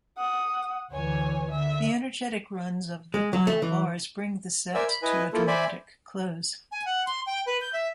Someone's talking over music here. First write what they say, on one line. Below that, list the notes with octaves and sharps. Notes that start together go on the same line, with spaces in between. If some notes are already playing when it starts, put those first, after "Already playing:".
The energetic runs of the final bars bring the set to a dramatic close.
F#5 D#6
D2 E3 C#5 G#5
D3 E5
G#3
F#3
A3
E3
A#4 C5 D5 E5 G#5 E6
B5
E4 B4 D#5 G#5
A#3 E4 F4 A4
C5 D5 E5 G#5 B5
G#5
F#5
C6
G5
B4
G6
E5